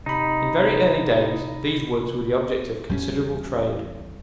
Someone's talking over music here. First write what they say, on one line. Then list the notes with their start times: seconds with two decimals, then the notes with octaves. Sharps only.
In very early days these woods were the object of considerable trade.
0.06 C3 D#4 B5
2.89 E2 G3 A#3 C#4